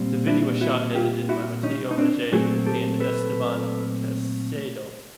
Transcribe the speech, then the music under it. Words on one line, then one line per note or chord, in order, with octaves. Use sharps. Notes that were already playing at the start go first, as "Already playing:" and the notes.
The video was shot and edited by Mateo Mejia and Esteban Caicedo.
Already playing: A#2 G3 C4
D4 E4
E4 F#4
F4 G4
E4 F#4
C#4 D#4
D#4
C4 D4
A#2 F#3 A3 C4 F#4 G#4
G4 A4
A4 B4